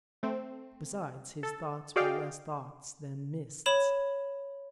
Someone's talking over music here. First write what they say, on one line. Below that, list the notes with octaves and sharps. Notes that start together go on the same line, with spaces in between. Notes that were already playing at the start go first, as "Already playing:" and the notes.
Besides, his thoughts were less thoughts than mists.
A3 C4
A4
F#4 G#4 D5 D#5 F5 G5
C#5 B5 E7 F#7